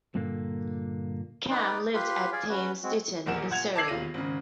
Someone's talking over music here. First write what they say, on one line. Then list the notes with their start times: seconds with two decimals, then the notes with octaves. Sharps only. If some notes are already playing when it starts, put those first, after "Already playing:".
Camm lived at Thames Ditton in Surrey.
0.15 G2 A#2 D3 A#3
1.51 D#4 B4 D5
1.94 F4 G4 B4 B5 C6
2.33 G#4 D5 F5 G#5
2.49 C#4 F#4 B4
2.83 G#3 C4 F#4
3.26 D#1 A#1 E2 A#4 F#5 E7
3.50 A#2 F#5 G#6 F7
3.75 A5 D6 E6 G#6 C7 F#7
3.88 E1 D#2 F4 A#6 D#7
4.14 G#1 C#3